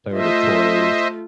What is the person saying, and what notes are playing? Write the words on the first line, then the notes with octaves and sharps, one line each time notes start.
Play with her toys.
A3 F4 C5 D#5 E5